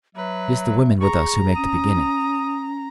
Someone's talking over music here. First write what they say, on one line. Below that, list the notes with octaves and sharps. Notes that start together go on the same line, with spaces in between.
It is the women with us who make the beginning.
F#3 B4 E5
G#4 A#5 C#6
C#4 D#6